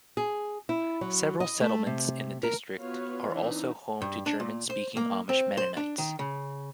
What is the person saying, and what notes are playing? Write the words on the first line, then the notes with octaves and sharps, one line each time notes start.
Several settlements in the district are also home to German speaking Amish Mennonites.
G#4
E4
F#3
D#5
A3
C3
A#4
B3 F4 F#4 B4 C#5 F5
E3 C4 D4 D#4
G2
D4
A#2
C5
A#3
C4
C5
D4
D#3
C#3